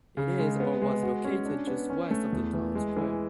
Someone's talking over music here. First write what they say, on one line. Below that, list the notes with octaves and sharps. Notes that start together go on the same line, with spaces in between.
It is or was located just west of the town square.
C#3
G#3
B3
G#3
F#4
C#4
D4
B3
C#4
A3
E2
E3
G#3
E3